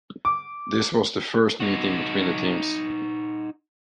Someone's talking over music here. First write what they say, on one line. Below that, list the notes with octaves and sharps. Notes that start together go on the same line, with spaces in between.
This was the first meeting between the teams.
D6
D#4 F#4